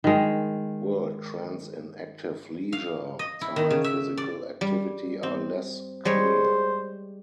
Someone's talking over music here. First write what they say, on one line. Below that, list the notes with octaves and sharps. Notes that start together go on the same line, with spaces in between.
World trends in active leisure time physical activity are less clear.
D#3 G#3
F5
D#5
E4
D#3
C#3
E5
D5
G3
C4
G3 G#3 C5 C#5